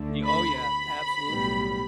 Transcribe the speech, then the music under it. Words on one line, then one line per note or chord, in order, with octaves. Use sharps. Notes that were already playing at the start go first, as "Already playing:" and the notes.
Y oh, yeah, absolutely,
Already playing: D2 D3 A3
B5
B5
B1 A2 G3 B3